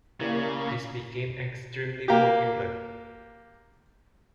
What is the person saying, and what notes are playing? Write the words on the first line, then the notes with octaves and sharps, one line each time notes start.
This became extremely popular.
C#3 A#3 E4 G4 D5
A#3 G4